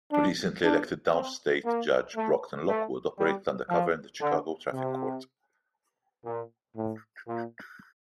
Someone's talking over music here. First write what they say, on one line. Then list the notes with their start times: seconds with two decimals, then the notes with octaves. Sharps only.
Recently elected downstate judge Brocton Lockwood operated undercover in the Chicago Traffic Court.
0.11 D4
0.62 D4
1.14 C4
1.64 A#3
2.16 A3
2.68 A3
3.18 G3
3.69 F3
4.20 D3
4.72 C3
6.25 A#2
6.76 A2
7.28 A#2